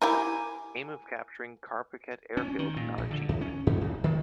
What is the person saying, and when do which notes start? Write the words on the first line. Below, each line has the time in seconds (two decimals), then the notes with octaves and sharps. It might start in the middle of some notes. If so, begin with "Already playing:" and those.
Aim of capturing Carpiquet airfield not achieved.
0.02 E4 G4 A#4 G#5 D6
2.37 C#4
2.59 D#3
2.76 A#2
2.98 A#1
3.11 D3
3.29 D#2
3.41 C#4
3.67 F#2
3.81 D1
4.04 D#3